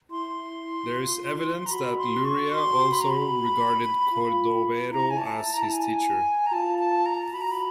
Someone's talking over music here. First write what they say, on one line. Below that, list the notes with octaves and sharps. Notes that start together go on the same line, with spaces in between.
There is evidence that Luria also regarded Cordovero as his teacher.
E4 C6
F4
A#5
F#4 B5
C6
C#6
F#4 C6
B5
A#5
B5
F4
E4 A#5
G#5
A5
A5
A#5
A5
G#5
A#5
F4 A5
A5
A#5
F#4 B5
A#5
B5